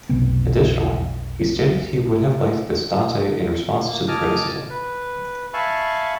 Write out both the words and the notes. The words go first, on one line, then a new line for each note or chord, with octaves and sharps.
Additionally, he stated he would have liked this Dante in response to the criticism.
F1 B1 C3 B3
A#3
D#5 G#5 A5 D6 F6
B4
E5 F5 G#5 A5 B5 C#6